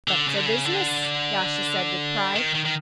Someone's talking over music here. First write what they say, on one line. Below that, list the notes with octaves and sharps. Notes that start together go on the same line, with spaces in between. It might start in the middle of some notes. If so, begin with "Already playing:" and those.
"That's our business," Yasha said with pride.
D3
C#3
D3
C#3
D3
D#3
D#3
D#3